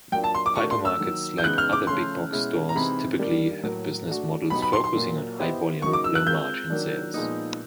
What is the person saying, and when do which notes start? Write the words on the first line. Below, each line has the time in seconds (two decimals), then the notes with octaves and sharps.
Hypermarkets, like other big-box stores, typically have business models focusing on high-volume, low-margin sales.
0.12 F#3 A#3 D4 F4 G5
0.24 A5
0.35 C6
0.46 D6
0.56 A3 D4 F#4 A#4 C#6
0.71 C6
0.85 E6
1.00 D#3 F#3 A#3
1.38 G6
1.44 C#3 E3 G#3 B3 D#4 F#6
1.58 F6
1.73 D6
1.87 C#3 F3 A3 C#4 C6
2.32 B2 G#3 C#4 E4
2.69 A#5
2.75 C3 E3 G#3 C4 D#4 B5
3.19 D#3 G3 A#3 D4
3.63 A2 F#3 A#3
4.07 A3 D4 F#4
4.50 B2 F#3 B3 D#4 G4 B5
4.62 B5
4.73 C6
4.84 C6
4.95 A#2 F#3 A#3
5.39 B3 E4 G4 C5 D#5
5.82 C#3 F#3 A#3 D#4 F#4 C#6
5.93 D6
6.04 E6
6.15 F#6
6.26 G#3 C4 F4 A#4 G6
6.70 D#3 F#3 A#3 D4
7.14 A#2 F3 G#3 B3 D#4